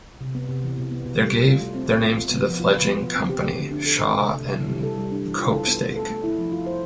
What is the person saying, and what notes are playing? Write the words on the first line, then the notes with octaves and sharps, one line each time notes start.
They gave their names to the fledgling company - Shaw and Copestake.
C3
B3
C3
E3
B2
B3
B2
G3
A3
F4
A3
C4
B2
F4
B2
B3
F3
F4
B4
B3
B2
C4
G4
A3
D3
D4
A4
A3
C3
A3
C3
E3
G3
A4
G3
D4
E3
F4
A4
B3
A3
A4
A3
E4
F3
F4
C5